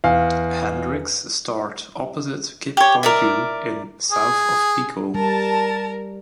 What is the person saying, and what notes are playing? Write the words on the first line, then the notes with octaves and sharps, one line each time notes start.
Hendricks starred opposite Kip Pardue in "South of Pico".
E2 F5
G4 C#5
A#4 D5 E5
G#4
G3 A#4 A5